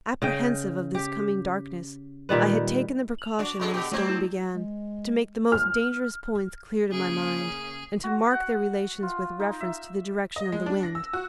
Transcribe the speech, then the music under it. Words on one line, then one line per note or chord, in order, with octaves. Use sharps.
Apprehensive of this coming darkness, I had taken the precaution, when the storm began, to make the most dangerous points clear to my mind, and to mark their relations with reference to the direction of the wind.
C#3 D#5 G5
G4
A#2 D#3 G3 B4
F7 F#7
D4 F#4
F#2 G#3 A4 B5
B2 G4
F#3 A3 C4 F#4 G#6
E4 E7
G#3
F6
C#3 A#3 C#4 G#4
F#4
F#5
F4
D#4
E5
D#5
G#3
D4
A#6
E6
F#4